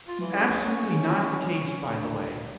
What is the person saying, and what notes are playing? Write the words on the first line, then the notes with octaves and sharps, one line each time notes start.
absolutely not the case, by the way,
F4
E3
C#4
C#4
C#4
D2
F#3